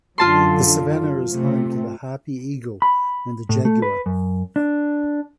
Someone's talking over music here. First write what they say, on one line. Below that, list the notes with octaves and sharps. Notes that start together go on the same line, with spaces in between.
The savannah is home to the harpy eagle and the jaguar.
F#2 D3 F4 A5 C6
C3 A3
B5
A2
A3
B4
F#2
D4